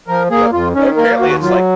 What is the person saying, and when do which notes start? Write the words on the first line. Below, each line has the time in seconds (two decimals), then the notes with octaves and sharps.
Yep. And apparently, it's like
0.08 F3 A#4
0.30 A#3 G#4
0.53 F2 F4
0.75 D#3 C#4
0.97 A#3 A#4
1.20 D#2 F#4
1.42 F#3 F4